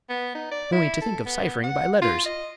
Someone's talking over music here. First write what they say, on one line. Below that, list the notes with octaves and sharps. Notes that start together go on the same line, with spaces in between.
Only to think of cyphering by letters!
B3
D#4
D5
E4
A4
B3
F#5
F4
D#5